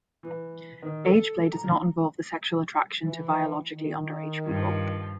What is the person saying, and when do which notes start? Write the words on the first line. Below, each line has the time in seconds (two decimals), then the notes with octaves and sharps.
Ageplay does not involve the sexual attraction to biologically underage people.
0.23 E3
0.82 D#3
1.05 A4
1.52 A#5
3.02 E3
3.72 D#3
4.47 G2 F3